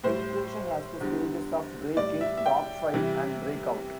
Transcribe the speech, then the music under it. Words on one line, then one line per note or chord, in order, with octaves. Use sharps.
Penetration has the stages of break in, dog fight and break-out.
A2 G3 C5
E2 D3 G3
A2 G3 D5
E5
E5
G5
C3 E3 G3